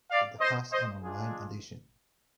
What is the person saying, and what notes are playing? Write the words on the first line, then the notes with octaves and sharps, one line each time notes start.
It has an online edition.
D5 F5
C5 D#5
C5 D#5
G#3 D4 F4 G#4